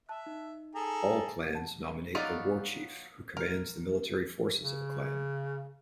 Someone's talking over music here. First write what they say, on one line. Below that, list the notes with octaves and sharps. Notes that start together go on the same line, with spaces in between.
All Clans nominate a Warchief, who commands the military forces of a Clan.
E5 A5 F#6
D#4
G#4 A4 A#5
F#5 A5
F#3 B3 D#4 F4 D5
A#4
C#3